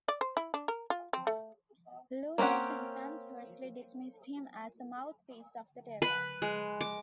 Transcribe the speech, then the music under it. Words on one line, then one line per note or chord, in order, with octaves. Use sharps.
Luther contemptuously dismissed him as a mouthpiece of the devil.
D5
C5
E4
D4
A#4
F4
C4
A3
A#3 C4 C#4 G4 F#5
B4
G#3
D6